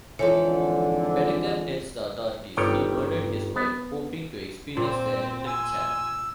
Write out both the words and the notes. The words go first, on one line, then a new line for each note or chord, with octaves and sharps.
Bedeker tells the authorities he murdered his wife, hoping to experience the electric chair.
F2 G#2 D3 E3 F3 A4 C#5
G1 D#3 G3 C#5 G5
B3
A#2 C4 C5
G#5 C6 E6